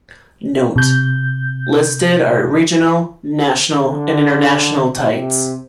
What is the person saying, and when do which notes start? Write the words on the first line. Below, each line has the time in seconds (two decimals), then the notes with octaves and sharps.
Note: Listed are Regional, National and International tites.
0.76 C3 G6
3.83 D3
5.12 C3